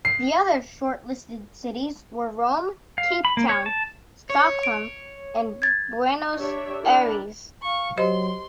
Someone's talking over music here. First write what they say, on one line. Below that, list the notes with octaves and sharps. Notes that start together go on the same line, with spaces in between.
The other shortlisted cities were Rome, Cape Town, Stockholm and Buenos Aires.
C7
F5
B5
A#3
C#5
A5
C#5
D7
G#6 A6
D4 G4 C#5 D5 E5
D4 E4 A#4 D5
F5 C#6
F#3 G4 C5 D#5 C6